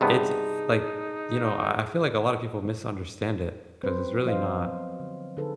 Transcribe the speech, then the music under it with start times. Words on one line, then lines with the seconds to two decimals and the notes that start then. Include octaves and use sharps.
it's, like, you know, I I feel like a lotta people misunderstand it 'cause it's really not
0.01 G2 C3 B3 D#4 G#4 A5
3.83 F#3 C4 B4 C5
4.25 F3 F#3 B3 C5 D#5 F5
4.58 C4
5.00 D3
5.37 D3 D#4 G#4 A4 B4